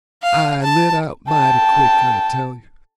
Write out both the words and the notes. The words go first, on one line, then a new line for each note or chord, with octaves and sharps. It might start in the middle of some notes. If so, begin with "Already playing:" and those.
I lit out mighty quick, I tell you.
F5
A5
G5 A5